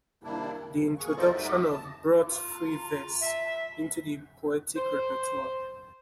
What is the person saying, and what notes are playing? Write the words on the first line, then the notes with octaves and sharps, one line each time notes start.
The introduction of brought free verse into the poetic repertoire.
C3 D#3 G3 A#3 D4 E4
D#3
B2 A#3 G#4 C#6
F4 A4 A#4 C5 D5 D#5
G3 A3 D#4 F#4 E5
D#2 A5
F4
E5
C5